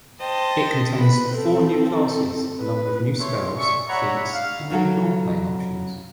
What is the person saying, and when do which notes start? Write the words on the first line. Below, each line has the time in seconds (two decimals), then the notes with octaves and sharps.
It contains four new classes, along with new spells, feats, and new role-playing options.
0.21 C5 D#5 G5 A5
1.00 B4 B5
1.29 C4 A4
2.60 B4
3.19 A3 B4 C#5 E5 C6
3.57 G#4 D5 E5 C#6
3.89 C#5 D5 E5 F#5 A#5 B5
4.33 F5
4.70 C#3 F#3 F#4 A4